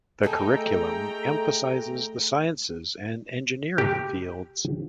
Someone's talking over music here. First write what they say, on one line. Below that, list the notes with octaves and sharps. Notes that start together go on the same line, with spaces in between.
The curriculum emphasizes the sciences and engineering fields.
A3 D#4 G#4 A4 G5 A#5
G4